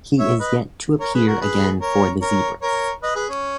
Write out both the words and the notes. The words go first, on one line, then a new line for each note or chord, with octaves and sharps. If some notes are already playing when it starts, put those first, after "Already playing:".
He is yet to appear again for the Zebras.
C#5 E5
B4 D#5
A#4 C#5
G#4 B4
F#4 A#4
G#4 B4
A#4 C#5
A#4 C#5
A#4 C#5
B4 D#5
G#4 B4
C#4